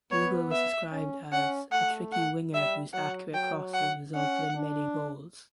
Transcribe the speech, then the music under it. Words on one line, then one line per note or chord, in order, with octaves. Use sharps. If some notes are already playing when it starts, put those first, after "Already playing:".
Dougall was described as "a tricky winger whose accurate crosses resulted in many goals".
B3 C#5
E5
C#4
C#4 F#5
A3 F#5
F#5
G3 E5
F#3 F#5
F#3 G5
F#5
C#4 F#5
D4